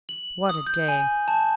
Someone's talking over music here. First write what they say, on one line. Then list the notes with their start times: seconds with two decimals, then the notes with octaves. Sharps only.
What a day!
0.09 F#7
0.49 D#6
0.67 G6
0.89 G#5
1.28 A5